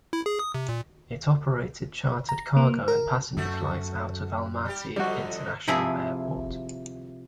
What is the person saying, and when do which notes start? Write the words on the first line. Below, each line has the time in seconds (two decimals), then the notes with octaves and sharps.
It operated chartered cargo and passenger flights out of Almaty International Airport.
0.13 E4
0.26 G#4
0.39 D#6
0.55 C3
0.69 A#2
2.29 A#5
2.57 A#3
2.88 A#4
3.37 F#2 A3 F#4
4.65 G3 G4
4.96 F2 D3 G3 F#4
5.68 C3 F3 E4 G#4